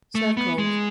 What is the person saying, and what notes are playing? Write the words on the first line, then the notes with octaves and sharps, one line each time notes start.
Serve cold.
A3
B3
G#3